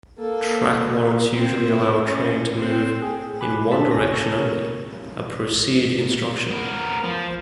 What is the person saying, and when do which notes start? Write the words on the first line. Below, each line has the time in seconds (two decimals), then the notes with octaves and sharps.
Track warrants usually allow a train to move in one direction only-a "Proceed" instruction.
0.19 A#3 A4
1.36 C4
1.71 E4
2.03 C#4
2.56 C4
3.02 G#4 G5
3.40 G#5 B5 D6 F#6
3.72 A#2 B3 A4 A5 D6 B6
3.91 G1 D2 G4 C#5 G#5 A#6
4.12 A4 C#6
4.31 A#4 C#5
6.51 B3 A#4
7.04 F3